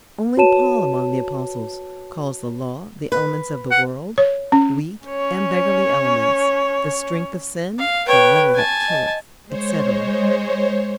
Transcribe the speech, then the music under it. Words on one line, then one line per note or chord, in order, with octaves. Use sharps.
Only Paul among the apostles calls the Law "the elements of the world, weak and beggarly elements, the strength of sin, the letter that killeth," etc.
F#4 B4 C#5 A5 D#7 E7
B4
F#5
C#5
C#4
C#4 C#5
F5
B4 C#5 G5
G#5 A5
D#5
G#3 C5 C#5